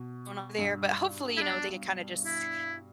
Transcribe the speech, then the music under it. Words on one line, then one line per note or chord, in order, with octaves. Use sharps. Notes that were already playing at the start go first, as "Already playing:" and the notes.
going on there, but hopefully, you know, they can kinda just
Already playing: B2
G2
E4
D4
E4